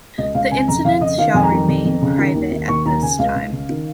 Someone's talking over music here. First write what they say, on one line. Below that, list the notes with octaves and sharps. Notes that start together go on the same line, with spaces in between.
The incidents shall remain private at this time.
C#2 D#5
C#2 F5
C#3 G#5
F2 A#5
F2 F5
C#3 D#5
D#3 F5
F2 G#5
A#5
D#3
F2
F2
C#3
D#3
D#2
D#3
D#2 C#6
D#2 A#5
C#3 G#5
C#2 F5
C#2
C#3
D#3